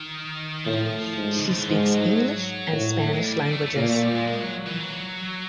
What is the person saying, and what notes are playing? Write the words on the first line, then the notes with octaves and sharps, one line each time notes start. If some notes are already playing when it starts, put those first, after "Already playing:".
She speaks English and Spanish languages.
Already playing: D#3
A2 F3
G#2
C#3
D3
D#3
E3
G#2 F3
F#3
A2
G#3
G3
A3
A3
A#2 A#3
A3
G3
G#3
G#3
F#3
E3
F#3